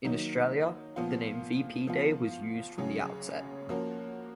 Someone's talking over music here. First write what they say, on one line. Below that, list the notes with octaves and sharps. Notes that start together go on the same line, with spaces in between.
In Australia, the name "V-P Day" was used from the outset.
D#3 F#3 A#3 D#4
A#2 F3 B3 F4
F3 B3 F4
C#3 F#3 C#4 G#4
F3 A#3 C#4 F#4 A#4